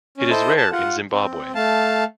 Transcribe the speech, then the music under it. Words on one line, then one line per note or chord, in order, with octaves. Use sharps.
It is rare in Zimbabwe.
C#4
E4 A4 C5 D#5
A5
F4 F#5
C4
A3 F5 A5